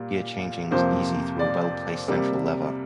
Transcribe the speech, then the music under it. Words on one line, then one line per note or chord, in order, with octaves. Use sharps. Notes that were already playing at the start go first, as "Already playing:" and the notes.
Gear changing was easy through a well-placed central lever.
Already playing: A#2 G3 A#3
F2 C3 F3 A#3 C5
D5
C3 G3 A#3